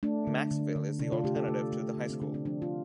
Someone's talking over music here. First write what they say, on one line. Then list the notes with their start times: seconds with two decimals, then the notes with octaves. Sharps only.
Maxville is the alternative to the high school.
0.03 A3 D4
0.27 D3
0.51 D3
0.76 D3
0.99 C3 D4
1.12 F4
1.24 A3 G4
1.36 A4
1.48 A3
1.73 A3
1.97 D3
2.10 C4
2.22 D3 D4
2.34 C4
2.45 F3 D4
2.62 F4